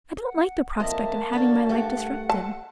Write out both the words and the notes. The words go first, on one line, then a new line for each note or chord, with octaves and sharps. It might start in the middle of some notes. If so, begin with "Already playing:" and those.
I don't like the prospect of having my life disrupted.
F#5
F2 A#3 D#5 E5 A5
D3 C#4 F#4 D5
G2 A3 F#5
A5